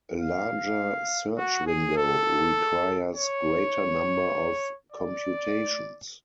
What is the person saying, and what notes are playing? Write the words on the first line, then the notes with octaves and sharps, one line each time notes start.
A larger search window requires greater number of computations.
F5
F#4
G#4
A4
C#5
D5